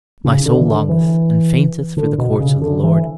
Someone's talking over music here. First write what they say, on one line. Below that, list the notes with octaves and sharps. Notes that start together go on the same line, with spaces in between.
My soul longeth and fainteth for the courts of the Lord.
C#3
D3
E3
D3
E3
D3
B2
C#3
D3
E3